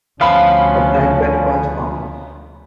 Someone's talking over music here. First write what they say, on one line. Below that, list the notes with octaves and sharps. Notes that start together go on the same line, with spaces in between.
The Black Belt was formed.
D2 F3 B3 C#4 F5 B5